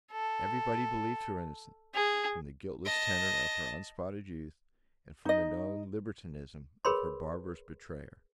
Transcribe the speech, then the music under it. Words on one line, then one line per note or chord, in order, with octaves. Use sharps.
Every body believed her innocent, from the guiltless tenor of her unspotted youth, and from the known libertinism of her barbarous betrayer.
A4
G#4
D#5 A5
D#4 D#5
G#4 A#4 B4 C#5 B5 C6